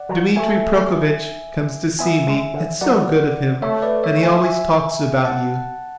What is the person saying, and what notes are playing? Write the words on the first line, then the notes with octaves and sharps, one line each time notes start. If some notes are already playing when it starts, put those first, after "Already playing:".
Dmitri Prokofitch comes to see me, it's so good of him, and he always talks about you.
Already playing: D5 F#5
F#3
A3 E5 G#5
B3 E5 G#5
G#3
D3
F#3 D5 F#5
A3 C#5 E5
B4 D5
C#5 E5
E5 G#5
E5 G#5
F#5 A5